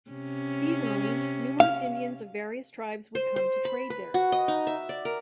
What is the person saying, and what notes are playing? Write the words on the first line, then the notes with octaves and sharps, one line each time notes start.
Seasonally numerous Indians of various tribes would come to trade there.
C3 C#4
F5
C5
C5
B5
B4
F#4
D#5
D#4
E5
D5
A#4